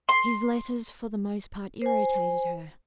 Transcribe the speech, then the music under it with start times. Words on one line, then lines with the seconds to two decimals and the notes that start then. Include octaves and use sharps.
His letters for the most part irritated her.
0.09 C6
1.82 C5 G#5